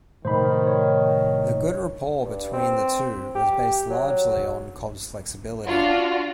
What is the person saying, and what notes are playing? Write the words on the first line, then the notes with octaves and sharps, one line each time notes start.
The good rapport between the two was based largely on Cobb's flexibility.
A2 C3 D#3 F3 C5 B5
C#5
G2
C4
G4
F#3
D4 F4 F#4